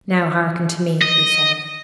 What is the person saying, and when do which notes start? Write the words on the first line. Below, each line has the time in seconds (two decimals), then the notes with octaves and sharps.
"Now, hearken to me," he said.
1.02 D#5